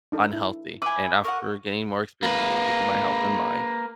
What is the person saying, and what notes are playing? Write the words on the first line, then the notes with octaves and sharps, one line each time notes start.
unhealthy. And after getting more experience of taking my health and mind
D4 D#4 A4
E4
B4 E5 G#5 D6
A#4 D#5 F#5 C#6
A#3 B4